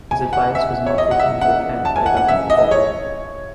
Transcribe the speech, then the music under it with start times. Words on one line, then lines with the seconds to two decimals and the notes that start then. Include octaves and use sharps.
His advice was not taken into account by the Government Board.
0.11 G#5
0.33 F#5
0.55 E5
0.86 C#5
0.98 D#5
1.11 F#5
1.20 E5
1.41 F#5
1.85 A5
1.96 G#5
2.06 F#5
2.17 F#5
2.28 E5
2.50 D#5
2.71 C#5